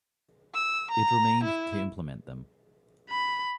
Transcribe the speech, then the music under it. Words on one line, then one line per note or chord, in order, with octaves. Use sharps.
It remained to implement them.
E6
A#5
E4
B5